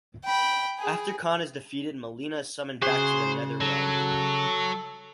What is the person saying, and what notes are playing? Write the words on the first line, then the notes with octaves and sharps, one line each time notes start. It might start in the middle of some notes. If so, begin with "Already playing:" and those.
After Kahn is defeated, Mileena is summoned back to the Netherealm.
G5 B5
G#4
C#3 F#4 G#4 C5
F#3 A4